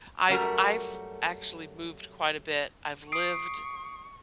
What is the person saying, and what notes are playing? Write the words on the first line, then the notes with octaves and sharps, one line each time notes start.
I've I've actually moved quite a bit. I've lived,
F#2 G3 A3 F#4 A#4
C#6 D#6 C7 D7